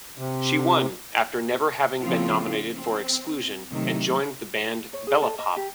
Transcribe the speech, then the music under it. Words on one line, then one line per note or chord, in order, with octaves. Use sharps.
She won, after never having been nominated for exclusion, and joined the band Bellepop.
C3
C#3 F3 B3 C4 E4 F4
C4
C3 D#3 F#3 A3
C#5
G#4
A4
D#5
G4